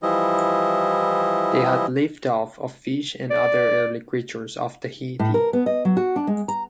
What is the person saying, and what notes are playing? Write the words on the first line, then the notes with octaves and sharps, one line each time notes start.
They had lived off of fish and other early creatures of Tahiti.
E3 F3 G3 E4 D#5
D5
A2
A#4
B3
D#5
F#3
F#4
D4
G#3
A#5